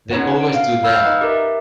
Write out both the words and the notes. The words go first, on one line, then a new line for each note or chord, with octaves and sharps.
They always do that.
B3 C#4 D#4 B4 C#5 F#5
D7
F5
F5 B5 E6 F6 G6
D#4 B4 D#5 F#6
G4 A#4 E5